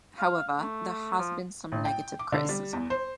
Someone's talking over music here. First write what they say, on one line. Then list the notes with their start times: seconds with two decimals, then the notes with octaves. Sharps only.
However, there has been some negative criticism.
0.19 F5
0.60 A3
1.18 F3
1.72 A1
1.85 G5
2.19 D6
2.32 D3
2.49 G3
2.73 E2
2.90 C5